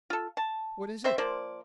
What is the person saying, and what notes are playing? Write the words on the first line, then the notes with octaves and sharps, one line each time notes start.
"What is it?"
F4 A4
A5
C4 C5 E5
F3 A#3 C5 D5